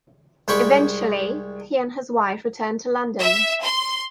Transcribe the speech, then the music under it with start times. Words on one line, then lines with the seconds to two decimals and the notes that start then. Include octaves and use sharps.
Eventually, he and his wife returned to London.
0.48 C2 G#3 G5 B5 C#6
3.20 E5
3.63 C6